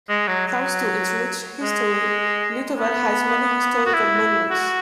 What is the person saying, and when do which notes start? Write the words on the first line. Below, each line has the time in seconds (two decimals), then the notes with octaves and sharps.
Thanks to its rich history Litovel has many historical monuments.
0.09 G#3
0.28 F#3
0.47 F#3
1.62 G#3
2.78 B3
3.86 F#4
3.94 E4
4.51 F#4